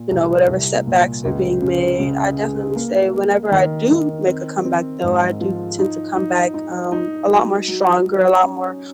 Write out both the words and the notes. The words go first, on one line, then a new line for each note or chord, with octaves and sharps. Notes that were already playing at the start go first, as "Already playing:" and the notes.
you know, whatever setbacks are being made. I definitely say whenever I do make a comeback though, I do tend to come back, um, a lot more stronger, a lot more
Already playing: A#2
C2
C2
A#2
C#2
C#3
C#3
G#3
A#3
A#3
D#3
D#3
C4
C4
G#2
F3
D#4
D#4
D#4
D#4
F#3
F#3
F#3
C#4